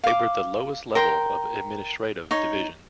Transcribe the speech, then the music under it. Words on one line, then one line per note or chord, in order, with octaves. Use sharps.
They were the lowest level of administrative division.
F5 D6
A#4 G5 C6
D#4 C#5